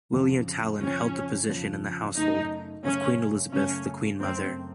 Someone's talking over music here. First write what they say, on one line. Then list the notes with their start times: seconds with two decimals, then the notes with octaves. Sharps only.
William Tallon held the position in the Household of Queen Elizabeth The Queen Mother.
0.13 F2 C#3 F3
0.81 F2 C#3 F3 C#4
1.49 F2 C#3 F3
2.17 F#2 C#3 A3 D#4
2.84 F#2 C#3 A3 C#4
3.52 F#2 C#3 A3 C#4
4.19 F#2 C#3 A3 C4